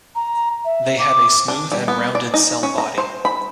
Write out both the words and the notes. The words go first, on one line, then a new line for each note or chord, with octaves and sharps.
They have a smooth and rounded cell body.
A#5
E5
D6
D4
G3
B3
D5
D#4
C#4
A#5
C5
B5